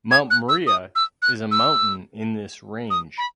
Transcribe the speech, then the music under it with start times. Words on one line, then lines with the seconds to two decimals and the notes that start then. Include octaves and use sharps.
Mount Maria is a mountain in this range.
0.11 G#6
0.30 F#6
0.49 E6
0.67 D#6
0.95 E6
1.22 F#6
1.51 E6
2.90 D#6
3.18 B5